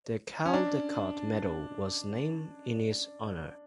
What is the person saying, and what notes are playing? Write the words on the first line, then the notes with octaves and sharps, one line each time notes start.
The Caldecott Medal was named in his honour.
C#4
D4